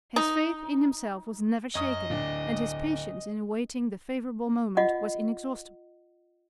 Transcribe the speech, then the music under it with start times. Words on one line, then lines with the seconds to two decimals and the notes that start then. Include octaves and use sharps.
His faith in himself was never shaken, and his patience in awaiting the favourable moment was inexhaustible.
0.16 D#4
1.75 F#2 D#5 D#6
2.10 D1 D4
4.77 F4 D#5 F#5